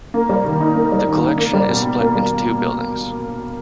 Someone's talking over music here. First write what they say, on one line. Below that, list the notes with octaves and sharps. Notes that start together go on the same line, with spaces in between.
The collection is split into two buildings.
A#3
G3
D#3
D#4
A#3
G3
D#3
D#4
A#3
G3
B2
B2
A#3
G3